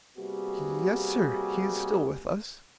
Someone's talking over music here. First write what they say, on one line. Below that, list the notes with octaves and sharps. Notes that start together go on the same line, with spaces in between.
"Yes, sir, he is still with us."
C3 G3 A#3 B3 F#4 G#4